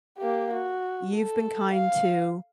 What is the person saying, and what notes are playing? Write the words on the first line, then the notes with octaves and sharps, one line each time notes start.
you've been kind to,
A#3 G4
F#4
A4
F5